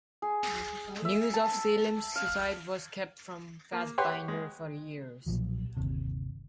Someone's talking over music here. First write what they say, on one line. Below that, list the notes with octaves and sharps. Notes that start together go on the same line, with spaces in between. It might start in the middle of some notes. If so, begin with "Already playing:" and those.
News of Salem's suicide was kept from Fassbinder for years.
G#4
E5
A5
F5
A#3
G4 B4 C#5 F#5 C6
G#3
B1 A#2 F3 F#3
G1 D#2 C3